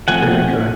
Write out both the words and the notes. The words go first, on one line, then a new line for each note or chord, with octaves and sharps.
Very good.
F3 A3 C4 F#5 G#5